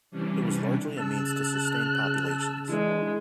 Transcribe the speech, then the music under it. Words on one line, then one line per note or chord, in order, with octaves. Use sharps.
It was largely a means to sustain populations.
C3 E3 G3 C#4 D4
C#3 A5 E6 F#6
E3 G#3 D4 E4